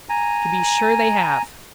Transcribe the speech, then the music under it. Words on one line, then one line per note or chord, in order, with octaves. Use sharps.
"To be sure they have."
G#5 A#5